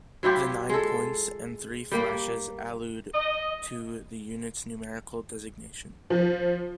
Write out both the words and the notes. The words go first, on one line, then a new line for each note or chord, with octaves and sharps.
The nine points and three flashes allude to the unit's numerical designation.
F#3 E4 F4 G4
G#3 A4
G3 A#3
D#5
F3